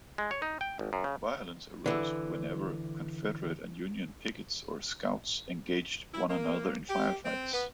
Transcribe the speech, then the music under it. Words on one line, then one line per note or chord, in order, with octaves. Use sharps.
Violence arose whenever Confederate and Union pickets, or scouts, engaged one another in firefights.
G#3
C#5
D#4
G5
G#1
F#2
C#3
D3 E3
E4
A#3
G4
C4
B3